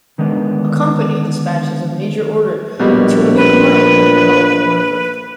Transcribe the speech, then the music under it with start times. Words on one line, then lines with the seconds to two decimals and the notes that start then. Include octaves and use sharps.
A company dispatches a major order to a new client in a developing market.
0.18 D3 D#3 G#3 B3 D4
2.80 A#1 B2 G3 G#3
3.36 B4